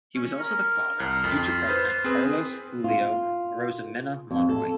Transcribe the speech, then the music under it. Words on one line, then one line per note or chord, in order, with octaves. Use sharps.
He was also the father of future president Carlos Julio Arosemena Monroy.
C#4
A#4
C2 A#4
F2 F4
B4 C5
C4 G#4 B4
F4
F2
A4